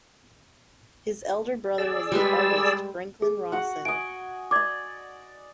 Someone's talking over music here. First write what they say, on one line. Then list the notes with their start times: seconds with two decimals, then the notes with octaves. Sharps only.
His elder brother was the artist Franklin Rawson.
1.78 G#4 D5 E6
2.12 G3 G#3 B4
3.22 G#4
3.52 F#4 F#5
3.85 D#5 G#5 D7
4.51 D5 D#5 D6 G#6